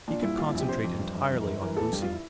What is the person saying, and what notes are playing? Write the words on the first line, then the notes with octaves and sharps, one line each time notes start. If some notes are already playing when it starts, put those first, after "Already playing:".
He could concentrate entirely on Lucy.
A#2 D4
C2 E4
A#2 F4
E4
A#1
G4
C3 C5
F2
G2
G1
F2
A#4
G1
E3 A#4
E2 A4
G2 G4
F4
E4